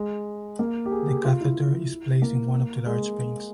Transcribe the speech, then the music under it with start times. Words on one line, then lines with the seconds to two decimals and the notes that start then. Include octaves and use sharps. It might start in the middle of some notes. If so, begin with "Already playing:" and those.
The catheter is placed in one of the large veins.
Already playing: G#3
0.59 A#3
0.86 G4
0.92 G#4
1.07 G4
1.24 F4
1.41 E4
2.22 A#3
2.86 G#3